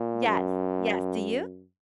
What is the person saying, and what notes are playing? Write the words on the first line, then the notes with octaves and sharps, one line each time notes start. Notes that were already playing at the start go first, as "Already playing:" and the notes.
Yes, yes, do you?
Already playing: A#2
F#2